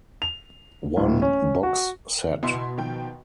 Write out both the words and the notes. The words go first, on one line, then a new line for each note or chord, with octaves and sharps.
One box set.
F7
D1
C#4
F#4
B2 E4 C6
D#3 F3 G5